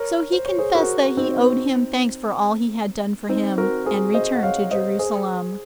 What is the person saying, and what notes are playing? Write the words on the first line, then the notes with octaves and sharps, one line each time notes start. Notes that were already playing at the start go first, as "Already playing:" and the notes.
So he confessed that he owed him thanks for all he had done for him, and returned to Jerusalem.
Already playing: A#4 C#5
C5
C#5
G#4 C5
F#4 A#4
C4 D#4
C4 D#4
F#4 A#4
G#4 C5
C5 D#5
F#5
C#5 F5
C5 D#5
G#4 C5